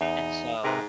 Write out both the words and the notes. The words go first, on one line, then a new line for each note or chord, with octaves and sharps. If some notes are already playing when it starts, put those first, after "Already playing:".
And so,
E2 D#4
G#2 C3 A#4 B4